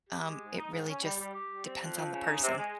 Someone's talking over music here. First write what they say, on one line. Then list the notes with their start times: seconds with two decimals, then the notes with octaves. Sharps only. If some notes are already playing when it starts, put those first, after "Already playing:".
um, it really just depends on the person.
0.09 G4
0.26 G#3
0.41 G#2
0.57 D#4
0.71 G#2
0.88 C#4
1.03 G3
1.19 G3
1.34 G4
1.49 G3
1.65 C4
1.80 F2
1.96 F3
2.10 C#3
2.26 D#4
2.42 C3
2.58 G#3